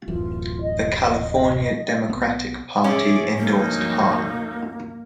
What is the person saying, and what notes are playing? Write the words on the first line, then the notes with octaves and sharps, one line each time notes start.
The California Democratic Party endorsed Hahn.
D1 F#2 E3 F4
D#5
B1 B3
D2 G2 F3 C#4 G#4 D5 E5
F#3 A#3 D#4